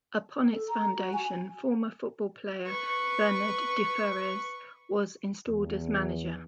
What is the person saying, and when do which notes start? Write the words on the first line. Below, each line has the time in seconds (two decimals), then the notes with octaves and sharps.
Upon its foundation, former football player Bernard Deferrez was installed as manager.
0.53 A4
0.68 A#5
0.96 F#4
1.13 G#5
2.67 B4 C#6
5.47 E2